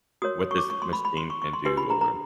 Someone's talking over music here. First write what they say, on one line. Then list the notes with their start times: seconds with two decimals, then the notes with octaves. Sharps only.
what this machine can do," or
0.22 F#4 A#4 C#5 D#6
0.51 C#6
0.58 D6
0.70 C#6
0.82 C6
0.93 B5
1.05 B5
1.17 C6
1.30 C#6
1.42 C#6
1.53 C6
1.65 D4 G4 B4 C6
1.77 B5
1.90 A#5
2.01 A#5